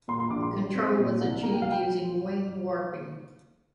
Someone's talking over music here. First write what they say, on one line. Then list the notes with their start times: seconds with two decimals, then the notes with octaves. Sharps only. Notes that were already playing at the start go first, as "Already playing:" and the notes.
Control was achieved using wing-warping.
0.08 A#2 C6
0.20 C6
0.30 A#1 D6
0.43 C6
0.53 G3
0.75 C4
0.98 A#2
1.21 C2
1.43 A#3 A#5
1.53 G5
1.62 F5
1.72 G5